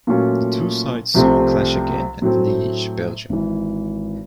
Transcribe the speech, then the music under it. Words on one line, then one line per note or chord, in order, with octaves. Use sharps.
The two sides soon clash again at Liege, Belgium.
A#2 F#3 A3 C#4 F4
C2 C3 F3 A3 C4
A2 F#3 A3 C4
G#1 G#2 E3